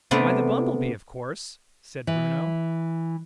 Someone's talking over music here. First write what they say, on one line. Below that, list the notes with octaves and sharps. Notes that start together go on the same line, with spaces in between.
"Why the bumble-bee, of course!" said Bruno.
C3 A3 B3 D4
E3